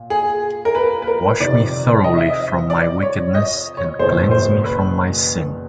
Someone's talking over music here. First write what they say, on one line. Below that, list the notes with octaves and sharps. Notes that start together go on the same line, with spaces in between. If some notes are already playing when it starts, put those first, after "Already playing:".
Wash me thoroughly from my wickedness: and cleanse me from my sin.
Already playing: A#2
G#4
A#4
B4
B4
A#4
F2 C3 D#3 D5
D#5
E5
D#5
D5
C#5
D#5
C#5
F#1 E2 B2 C5
C5
B4